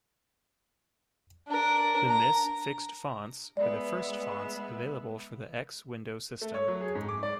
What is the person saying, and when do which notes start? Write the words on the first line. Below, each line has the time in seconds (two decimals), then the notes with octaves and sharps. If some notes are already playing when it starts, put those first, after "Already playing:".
The misc-fixed fonts were the first fonts available for the X Window System.
1.47 D4 A#4
2.09 A#5
3.57 G#3 B3 D5 E5
6.41 A3
6.54 C#5
6.68 F#3
6.81 G#4
6.95 G#2
7.09 D6
7.23 D5